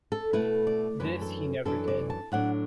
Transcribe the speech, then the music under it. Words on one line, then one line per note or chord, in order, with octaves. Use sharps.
This he never did.
A4
B2 A3 E4 B4
D5
F#2 E3 D4 B4
A4
F#2 E3 D4 A4
D5
A5
A2 F#3 D4 F#5